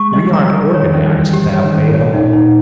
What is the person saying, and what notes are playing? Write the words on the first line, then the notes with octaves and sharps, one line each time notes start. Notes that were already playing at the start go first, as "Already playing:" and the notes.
We aren't organized that way at all.
Already playing: G#3 C#6
G3 D#5
A#5
A#4
D#3 C#5
C#4
G3
E3 C#4
G3
G4
C#5
D#3
C#4
C#5
D#4
A#2
D#4